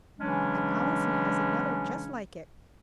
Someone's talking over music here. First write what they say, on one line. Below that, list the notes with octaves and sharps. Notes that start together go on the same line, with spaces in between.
And Allison has another just like it.
C#3 E3 F#3 G#3 C#4 D4